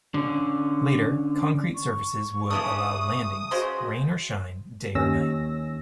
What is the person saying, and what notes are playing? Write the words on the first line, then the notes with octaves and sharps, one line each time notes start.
Later, concrete surfaces would allow landings, rain or shine, day or night.
D3 C#4
C#6
C#3 E3 D4 D#6
C#3 G#3 F#4 C5
D#2 C#4 E6 A#6